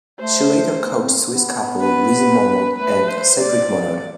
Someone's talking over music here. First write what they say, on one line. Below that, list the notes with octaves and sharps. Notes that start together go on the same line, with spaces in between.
She later coached Swiss couple Leslie Monod and Cedric Monod.
A3 C5
B3
C4
B3
B4
A3 B4
C5
D5
C4